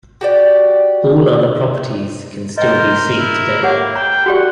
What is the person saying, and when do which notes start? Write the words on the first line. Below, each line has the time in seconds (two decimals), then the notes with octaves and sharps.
All other properties can still be seen today.
0.21 F#4 G4 D5
2.58 A#4 C5 D#5 G5
3.19 E4
3.63 A#3 G4 C#5 F#5
3.96 G5 A#5
4.26 F#4 G4 D5 F#5 C#6